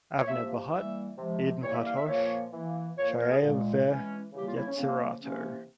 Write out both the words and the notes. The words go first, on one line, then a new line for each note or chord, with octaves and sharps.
Avner Bahat, Eden Partosh: Chayav ve-yetsirato.
C#5
C3 F3 A#3 E5
E3 G3 A#3 E5
C3 F3 G#3
E3 G3 A#3 C#5
E5
F5
E5
A#2 F3 A#3 C#5
E3 A#3
A#2 F3 A#3 C#5
C5
A#4
G#4
A#2 G#3
E3 G#3 C#4
C#3 E3 G3 A#3 G4
F4
E4
C#4
C#3 F3 A#3 C4
C3 E3 A#3 C#4